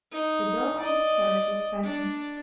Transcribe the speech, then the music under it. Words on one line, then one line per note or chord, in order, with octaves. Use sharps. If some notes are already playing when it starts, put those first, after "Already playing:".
The door of this carriage was fastened.
D#4
D5 D#5
D4 D5